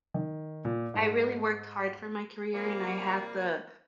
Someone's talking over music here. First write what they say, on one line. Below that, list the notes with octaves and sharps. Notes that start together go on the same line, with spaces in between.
I really worked hard for my career, and I had the
D#3
A#2
G#2
C3 F3 G3 A#3